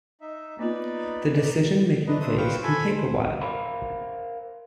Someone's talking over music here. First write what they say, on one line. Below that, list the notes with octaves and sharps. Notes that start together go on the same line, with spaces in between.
The decision-making phase can take a while.
D#4 E5
A#3 B3 D#4 F4 B4 D5
D4 D#4 B4 D#5
D4 E4 C5 D#6
F4 B4 C5 F5 G5 C#6
A4 G#5 B5
C5
A#4 C5 E5 F5 A#5 B5